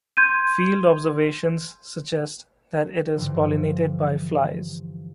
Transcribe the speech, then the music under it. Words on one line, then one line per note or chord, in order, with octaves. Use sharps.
Field observations suggest that it is pollinated by flies.
C6 G6 G#6 D#7
G2 D3 E3 F3